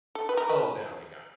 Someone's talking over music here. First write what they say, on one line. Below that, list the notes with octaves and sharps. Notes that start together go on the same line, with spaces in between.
Oh, there okay, got it.
A4
B4
A#4
B4